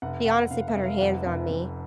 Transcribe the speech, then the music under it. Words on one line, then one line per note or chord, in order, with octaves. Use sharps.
She honestly put her hands on me.
F1 F#5
F1 F#5
F1 F5
E5
F1
F5
F2 F#5
F1
F1